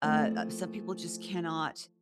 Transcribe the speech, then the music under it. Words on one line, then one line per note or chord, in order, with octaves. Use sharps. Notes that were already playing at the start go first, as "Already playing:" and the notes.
uh, some people just cannot
E3 F3 A3 A#3 C4 D#4